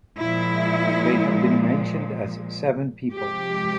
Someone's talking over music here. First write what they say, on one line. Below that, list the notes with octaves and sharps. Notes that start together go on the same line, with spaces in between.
They have been mentioned as seven people.
A#2 F3 G#3 E4
C3 F3 G#3 G4